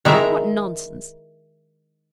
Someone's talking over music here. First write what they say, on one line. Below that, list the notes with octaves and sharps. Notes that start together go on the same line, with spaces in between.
What nonsense!
D#3 G#3 E4 E5 A#5